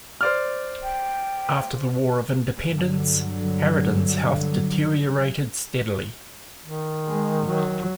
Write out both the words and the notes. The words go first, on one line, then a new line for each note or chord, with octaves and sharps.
After the War of Independence, Haraden's health deteriorated steadily.
C5 D5 F6
G5
G2 D3 F#3
D#3
G#3
F#3